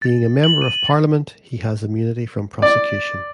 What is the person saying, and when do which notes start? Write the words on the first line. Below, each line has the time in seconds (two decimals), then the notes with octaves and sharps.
Being a member of Parliament, he has immunity from prosecution.
0.02 A6
0.44 F#7
0.62 D#7
2.62 D5